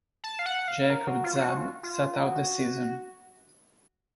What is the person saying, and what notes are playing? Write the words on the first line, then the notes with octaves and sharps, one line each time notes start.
Jacob Zab sat out the season.
A5
F5
F#5
F5
A#4
F#4
F4
F4
F#4
F4
F4
F#4